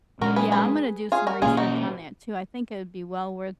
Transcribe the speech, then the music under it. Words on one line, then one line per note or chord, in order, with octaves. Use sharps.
Yeah, I'm gonna do some research on that too, I think it would be well worth
A#2 G#3 C#4 F#4 A#4
G#4 B4
G#4 B4
F4 G#4
F#4 A#4
B2 A#3 C#4 F4 G#4
D#4 F#4